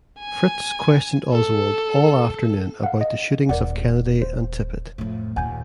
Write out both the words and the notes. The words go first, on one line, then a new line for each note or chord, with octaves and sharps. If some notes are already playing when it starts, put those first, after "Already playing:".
Fritz questioned Oswald all afternoon about the shootings of Kennedy and Tippit.
G#5
A4
F5 F#5
D#5
D#1 A#4 D5 F#5
C5
F2 A2
D#2 A#2 F#5 G#5 G6